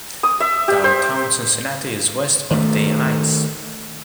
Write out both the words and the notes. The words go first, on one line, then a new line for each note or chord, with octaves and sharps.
Downtown Cincinnati is west of Day Heights.
D#6
E5
G4
C5
D#3 A3